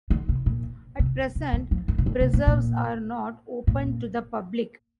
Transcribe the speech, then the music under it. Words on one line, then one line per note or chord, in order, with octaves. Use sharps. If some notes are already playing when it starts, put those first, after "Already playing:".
At present, preserves are not open to the public.
D3
C3
A#2
C3
C3
D3
F3
D#3
C3
D3
C3
A#2
A#2
A#2